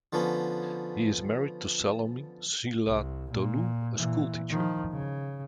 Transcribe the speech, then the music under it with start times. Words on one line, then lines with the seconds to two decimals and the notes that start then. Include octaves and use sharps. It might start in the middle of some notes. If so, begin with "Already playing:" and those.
He is married to Salome Silatolu, a school teacher.
0.13 D3 F3 B3 C#4
2.86 C2
3.31 A#2
3.97 A#2 E3
4.50 D#3 F3
4.93 C#3